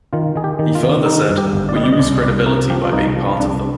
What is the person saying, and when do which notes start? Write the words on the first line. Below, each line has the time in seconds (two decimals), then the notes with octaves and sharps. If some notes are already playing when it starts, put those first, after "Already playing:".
He further said: We lose credibility by being a part of them.
0.13 D#3 F4
0.36 D#3 G#4
0.44 G4
0.59 D#3
0.75 F4
0.83 D#3
1.06 D#3 D#4
1.30 G2
1.38 G4
1.53 G1
1.69 D5
1.76 G3 D#5
1.84 D5
1.93 D#5
1.99 C2 D5
2.23 C2 D5
2.46 C3 A#4
2.70 F3 G4
2.85 F4
2.93 C2 D#4
3.17 F3
3.40 C2 D4